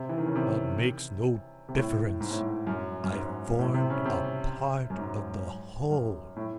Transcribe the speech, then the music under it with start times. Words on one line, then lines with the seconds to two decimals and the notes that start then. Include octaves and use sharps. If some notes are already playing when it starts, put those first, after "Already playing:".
"That makes no difference; I formed a part of the whole."
Already playing: C3
0.09 E3
0.18 D#3
0.27 C#3
0.36 C3
1.68 C3
1.75 A2
2.21 G#2
2.30 A2
2.40 G#2
2.67 F#2
3.04 F#2
3.13 G#2
3.59 A2
3.74 C3
3.90 C#3
4.05 C3
4.90 F#2
4.98 G#2
5.90 F#2
6.36 A2